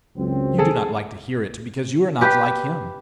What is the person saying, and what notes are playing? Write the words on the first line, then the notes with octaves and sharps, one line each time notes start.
You do not like to hear it because you are not like him.
C#2 F#2 C4
G#4 A4
G4 B4